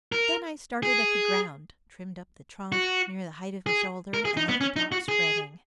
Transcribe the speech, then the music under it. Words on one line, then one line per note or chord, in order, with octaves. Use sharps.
Then I started at the ground, trimmed up the trunk near the height of me shoulder, and left the top spreading.
A#4
G#4
F#4
G#4
A#4
G#4
D#4
B3
C#4
D#4
F#4
G#4